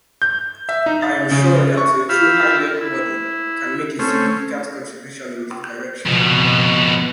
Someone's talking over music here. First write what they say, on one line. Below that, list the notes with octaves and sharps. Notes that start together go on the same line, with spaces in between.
I am sure that a true high-level body can make a significant contribution in this direction.
G6
E5
D#4
A6
C#3
C#6
F4 G4 F5 B5 E6
E4
A3 C4 C#4
F2 B2